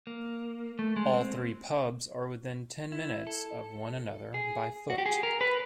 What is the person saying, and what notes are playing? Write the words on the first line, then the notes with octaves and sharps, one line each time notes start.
All three pubs are within ten minutes of one another by foot.
A#3
A3
G#3
C4
E4
A4
G#4
F#4
G4
G#4
A#4
B4